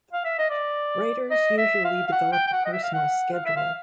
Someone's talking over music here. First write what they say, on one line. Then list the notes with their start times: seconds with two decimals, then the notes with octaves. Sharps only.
Writers usually develop a personal schedule.
0.13 F5
0.25 E5
0.38 D#5
0.50 D5
1.31 D#5
1.58 E5
1.84 F5
2.08 F5
2.12 F#5
2.32 G5
2.47 G5
2.53 F#5
2.65 D#5
2.73 E5
2.83 F5
2.94 F#5
3.33 F5
3.45 E5
3.56 F5